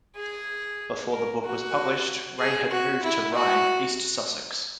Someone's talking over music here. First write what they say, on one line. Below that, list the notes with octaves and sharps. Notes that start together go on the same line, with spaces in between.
Before the book was published Ray had moved to Rye, East Sussex.
G#4
A#4
F#4
G#4
F#4
E4
F#4